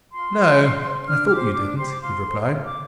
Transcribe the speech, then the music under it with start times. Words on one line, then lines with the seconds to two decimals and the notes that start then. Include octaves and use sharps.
"No, I thought you didn't," he replied.
0.12 F4 C6
0.36 C5
0.59 F4
0.83 C5
1.06 D4 F6
1.26 F6
1.30 G4 C5 D6
1.54 D4 D6
1.77 G4 C5 C6
1.90 D6
2.01 F4 C6
2.25 A4 C5
2.49 F4
2.65 D6